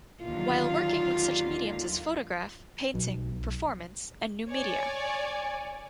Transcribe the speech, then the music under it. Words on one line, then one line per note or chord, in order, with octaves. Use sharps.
While working with such mediums as photograph, painting, performance and new media.
D#2 D3 F#3 F4
B1
C#5 D5 G#5